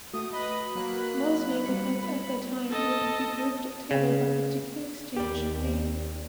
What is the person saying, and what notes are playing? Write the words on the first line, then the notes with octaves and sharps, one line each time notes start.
Most neighborhoods at the time would be grouped together by a particular exchange name.
A3 F#4 D#6
B4 D#5 B5
F#3 A#3 F#6
G3 C#7
B5
A4 D#5
C#3
D#2 G4 D5